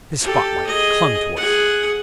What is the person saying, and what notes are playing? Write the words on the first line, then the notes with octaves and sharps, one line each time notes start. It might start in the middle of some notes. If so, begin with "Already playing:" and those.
His spotlight clung to us.
G4 A4
G#4 D#5
G#4 F#5